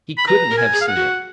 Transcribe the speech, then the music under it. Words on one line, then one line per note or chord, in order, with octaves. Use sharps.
He couldn't have seen it ...
B5
B4 A#5
A#4
G#5
G#4
F5
F#5
F#4